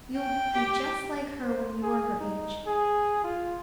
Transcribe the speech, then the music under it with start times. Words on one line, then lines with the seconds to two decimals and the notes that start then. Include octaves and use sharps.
You'll be just like her when you are her age.'
0.17 G5
0.54 G4
1.43 C5
1.83 G#4
2.20 D#4
2.66 G#4
3.24 F4